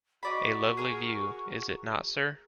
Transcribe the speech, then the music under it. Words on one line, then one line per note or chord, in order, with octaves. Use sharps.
A lovely view, is it not, sir?
D#4 F#4 D5 B5
G#4 A#4